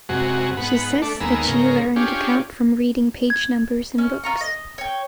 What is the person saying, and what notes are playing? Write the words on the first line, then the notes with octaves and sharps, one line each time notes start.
She says that she learnt to count from reading page numbers in books.
F#2 C3 G#3 F#4
G#2 B3 F#5
A3 D4
D#2 G#3 A#3 B3 E6
G#2 C#3 A#4
C#4 D4 F4 G4 G#4
G#6
C#4
F4 A#5 C#6
D#5
C#5 G5